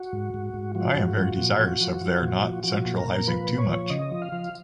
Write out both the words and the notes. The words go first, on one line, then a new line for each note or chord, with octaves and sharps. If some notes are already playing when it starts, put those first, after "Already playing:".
I am very desirous of their not centralizing too much.
Already playing: F#4
G#2
G#2
G#2
F3 F#4
G#2 F#4
F3 F#4
A#2
F3
F3
F3
A#2
F3
F3 F#4
A#2
A#4
A#2
F3 B4
A#2
C#5
F3
C#3 D#5
F3
F5
F3